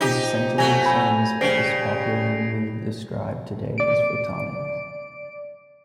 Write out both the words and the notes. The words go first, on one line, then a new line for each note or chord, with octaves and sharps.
It is essentially the same as what is popularly described today as photonics.
F3 D#4 G4 G6 D#7
F#3 A3 G#5 G#6 A#6 F7
G#5 B5
C#3 G3 C5 A#6 C7 D7
D5 D7